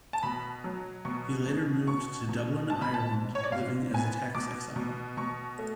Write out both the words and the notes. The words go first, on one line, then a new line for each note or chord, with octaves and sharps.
He later moved to Dublin, Ireland, living as a tax exile.
A5
B2 B5
F#3
B2 C#6
B2
B2 C#6
B2
G#2 A5
B5
A5
G#2
C#5
D5
G#2 F5
B3 G#5
B2 D6
B2
B2 C#6
A3